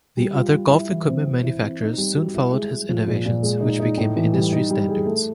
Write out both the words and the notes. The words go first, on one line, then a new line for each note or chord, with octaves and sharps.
The other golf equipment manufacturers soon followed his innovations, which became industry standards.
G3
F4
G3
E4
E3
C4
C4
E4
C4
D#4
G3
F#4
E4
G#3
G#3
F3
A#2
A#2
G#3
D#4
D#4
A2
E3
G3
D#4
G3
G#4
A3